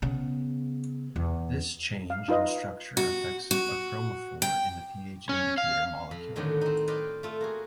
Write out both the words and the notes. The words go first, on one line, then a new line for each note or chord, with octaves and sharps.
This change in structure affects a chromophore in the pH indicator molecule.
C#3 B3
E2
F5
D#4 F4 B4 D#5
F#4
F#4
G5
C#4
F5
F2 B5
A2 D3 D#3 F#3 B3
C4 D#4
B4 C5 D5 D#5 F5 G5
A3 F4 E5
A#3 F#4 G#4